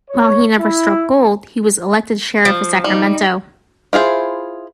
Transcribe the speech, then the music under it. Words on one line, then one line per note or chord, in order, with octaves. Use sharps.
While he never struck gold, he was elected sheriff of Sacramento.
C#5
E4
F3
G3 D#4
E4 F4 G#4 C5